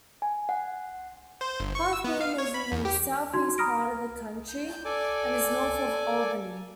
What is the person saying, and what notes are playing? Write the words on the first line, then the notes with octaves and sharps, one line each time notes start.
Halfmoon is in the southeast part of the county and is north of Albany.
G#5
F#5
C5
G1
C#6
E6
B3
F5
C#5
B5
E2
G4
D#4 F#4 C6 G#6
A#5 B5 D#6 F6 A#6 D7
G6
A4 D5 G#5 D6